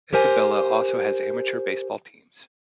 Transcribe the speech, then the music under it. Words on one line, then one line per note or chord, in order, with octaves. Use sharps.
Isabela also has amateur baseball teams.
G4 A#4 C5 G#5